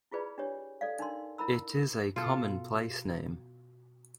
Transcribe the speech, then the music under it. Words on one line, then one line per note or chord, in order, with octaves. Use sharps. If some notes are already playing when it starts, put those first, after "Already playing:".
It is a common place name.
E4 F4 G#4 B4 D5 B5
D4 G4 C#5
A4 D5 F5
D4 D#4 A#4 C6
E4 A#4 A#5 B5 E6
B2 F4 A4